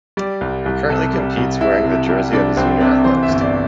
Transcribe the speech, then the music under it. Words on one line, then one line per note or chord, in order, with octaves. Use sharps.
He currently competes wearing the jersey of his unit athletics team.
G3 D5
C2
C2
C3 A4
G3
C2
C2 E4
C3
G3
C2 D4
C2 C4
C3 D4
E3 C5
E5
G1
D5